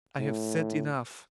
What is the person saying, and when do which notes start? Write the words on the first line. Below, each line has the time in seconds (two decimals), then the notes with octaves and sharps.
I have said enough.
0.19 A2